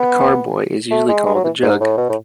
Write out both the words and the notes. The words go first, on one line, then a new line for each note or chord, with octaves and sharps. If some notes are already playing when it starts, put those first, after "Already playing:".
A carboy is usually called a jug.
Already playing: B3
A3
G#3
G#3
F#3
E3
G#2
A2
B2
A2